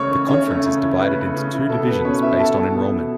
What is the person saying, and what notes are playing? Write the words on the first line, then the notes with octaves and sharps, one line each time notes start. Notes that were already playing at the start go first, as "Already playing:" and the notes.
The conference is divided into two divisions, based on enrollment.
Already playing: C#3 A3 C#5 C#6
C#4
C#3 C#4 C#5
A3
C#3
E4
C#3 B4
A3
C#3
E4
B2 A4
B3 B4
B2 C#4 C#5
E4 E5
B2 A4 A5
B3
B2
E4